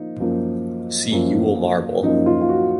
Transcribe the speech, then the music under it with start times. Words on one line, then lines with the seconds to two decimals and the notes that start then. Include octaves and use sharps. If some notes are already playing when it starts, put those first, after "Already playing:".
See Yule marble.
Already playing: F3 A#3 D#4
0.20 F#2 F3 A#3
1.12 F#2 F3 A#3
2.03 F#2 F3 A#3 D#4
2.26 F4
2.41 F4
2.49 F#4